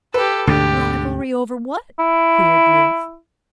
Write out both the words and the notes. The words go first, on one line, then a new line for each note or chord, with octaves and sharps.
"Rivalry over what?" queried Ruth.
G4 A4 B4
D2 G#2 B2 D3 G4
E4